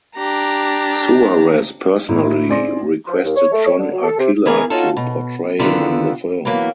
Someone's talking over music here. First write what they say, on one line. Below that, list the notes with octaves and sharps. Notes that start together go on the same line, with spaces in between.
Suarez personally requested John Arcilla to portray him in the film.
D4 G4 A#5
A2 D#4 E4
C4 G#4 D5 C6 A#6
F3
D#2
C#5
A3
C#5
D3
F#3
A4
C3
E3 B3 G#4 A#4
C#4 D#4 F4 F#4 A4
B2
D3 D#3 B3 E4 F4
E3 F#3 A#3 B3